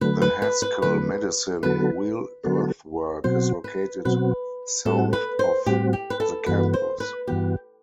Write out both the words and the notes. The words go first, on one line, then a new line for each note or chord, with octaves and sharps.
The Haskell Medicine Wheel Earthwork is located south of the campus.
D3 F#3 A3 B4
B4
B4
B4
D3 F#3 A3 B4
D3 F#3 B3 F#4 A4 B4
D3 F#3 B3 F#4 A4
B2 F#3 C4 F#4 C5
B4
B2 F#3 C4 F#4 B4
A2 G3 C4 F#4 A4
B4
C5
A2 G3 C4 F#4 G4
G4
B4
A4
G2 E3 B3 F#4 B4
C5
B4
G2 E3 B3 F#4 G4